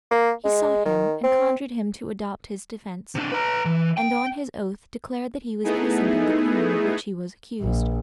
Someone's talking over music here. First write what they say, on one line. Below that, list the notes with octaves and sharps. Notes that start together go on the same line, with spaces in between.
He sought him, and conjured him to adopt his defence, and on his oath declared that he was innocent of the crime of which he was accused.
A#3
G#3
D#3
C4
C3 D4
B4 A#5
E3
G5
A3 B3 D#4 E4 G#4
A#1